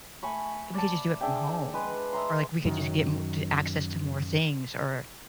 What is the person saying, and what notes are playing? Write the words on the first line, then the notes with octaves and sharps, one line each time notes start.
we could just do it from home. Or, like, we could just get m t access to more things or
A3 G#5 B5 C#6
D5 A5
D4 G#4 E5 G5
G#3 B4
D#5 E5 A#5 C6
F#2 D#3 F#3